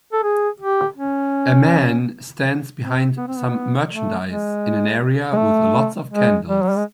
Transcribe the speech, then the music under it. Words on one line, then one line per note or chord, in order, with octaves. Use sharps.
A man stands behind some merchandise in an area with lots of candles.
A4
G#4
G4
C#4
C4
B3
C4
B3
A3
G#3
G#3
A3
G#3
G3
F#3
G3
G#3